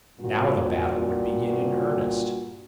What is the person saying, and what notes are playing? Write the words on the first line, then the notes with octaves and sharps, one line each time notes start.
Now the battle would begin in earnest.
G2 A#2 F4 F#4